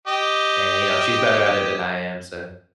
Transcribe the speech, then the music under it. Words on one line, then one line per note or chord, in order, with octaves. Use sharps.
and, you know, she's better at it than I am, so
G4 D#5